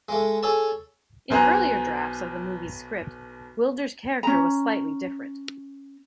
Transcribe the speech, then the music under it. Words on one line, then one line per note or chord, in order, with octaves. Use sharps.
In earlier drafts of the movie's script, Gwildor's character was slightly different.
G#3 A3
G#4 A4 C#5 A5
B1 B2 C5 G#5 A#5 F#6
C#4 A#5